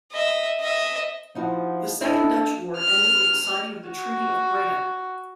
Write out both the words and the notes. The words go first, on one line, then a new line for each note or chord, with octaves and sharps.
The Second Dutch War ended with the signing of the Treaty of Breda.
D#5 E5
D#5 E5
F3 D#4 E4 F#4
D4 E4 A4 D#5
F6
F#4